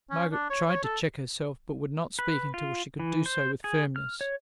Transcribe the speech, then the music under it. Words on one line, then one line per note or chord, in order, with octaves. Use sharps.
Margaret tried to check herself, but would not speak until she could do so with firmness.
C#4
D4
C#5
C#5
A4
B4
F4
E3
C5
G#4
F6
C#5